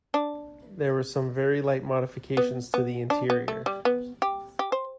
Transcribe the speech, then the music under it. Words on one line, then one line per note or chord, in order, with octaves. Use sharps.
There were some very light modifications to the interior.
D4
B3
B3
D4
B3
A3
G3
B3
G4
G4
C5